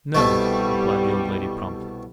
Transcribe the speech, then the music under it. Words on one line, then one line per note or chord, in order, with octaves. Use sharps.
"No," replied the old lady, promptly.
C2 B2 G3 A3